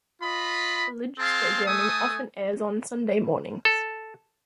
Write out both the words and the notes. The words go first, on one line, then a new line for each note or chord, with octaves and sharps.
Religious programming often airs on Sunday mornings.
F4 D#5 B5
C4 G#4 F5 A5 C6
A3 A4 G#5 D#6
A4